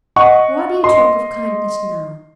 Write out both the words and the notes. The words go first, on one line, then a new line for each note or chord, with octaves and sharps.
"Why do you talk of kindness now?"
D#5 F#5 C#6
D#5 C6